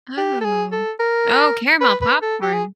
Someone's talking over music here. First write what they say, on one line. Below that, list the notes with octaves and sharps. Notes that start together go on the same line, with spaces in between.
Oh. Oh, caramel popcorn.
G4
A4
G#4
A4
A#4
B4
B4
A4
G4
G#4